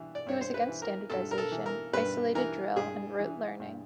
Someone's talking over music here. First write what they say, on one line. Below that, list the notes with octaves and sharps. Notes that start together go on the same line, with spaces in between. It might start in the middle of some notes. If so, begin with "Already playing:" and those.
He was against standardization, isolated drill and rote learning.
Already playing: G2 E3
D5
G2 C#5
C5
B4
E3
A#4
G2 A4
A#4
A4
E3
A#4
G2 B4
E3 A#4
G2 G#4
E3
G2